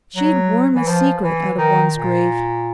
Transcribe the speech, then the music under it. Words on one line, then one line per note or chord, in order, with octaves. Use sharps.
She'd worm a secret out of one's grave.'
F#3
E3
F3
E3
D#3
A#2